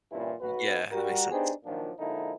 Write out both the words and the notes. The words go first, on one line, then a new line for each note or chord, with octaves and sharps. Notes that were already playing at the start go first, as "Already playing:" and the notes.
Yeah, that makes sense.
G2 A#2 E3 G3 C#4 E4
B1 F#4 B4
G3 F#4 A#4
B3 D4 D#4 G4 G#4 C5
A#2 D#3 F3 F#3 D4
D3 F3 G#3 A#3 D#4 E4